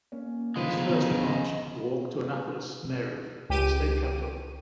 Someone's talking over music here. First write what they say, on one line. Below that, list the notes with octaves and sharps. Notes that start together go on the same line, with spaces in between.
On his first march he walked to Annapolis, Maryland, the state capital.
A#3 C#4
D3 D#3 F3 G#3 F4 B4
C#3 B3 D#4
D#5
C#2 G4 D7 D#7